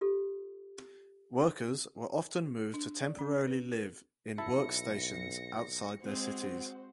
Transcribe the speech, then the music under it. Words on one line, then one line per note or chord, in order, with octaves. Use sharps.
Workers were often moved to temporarily live in work stations outside their cities.
F4 G4 A4
D4
D5
C#4
B4
A#4
B1 E4 E5 A5 A#6 C#7
G#3 C4 F#4 C5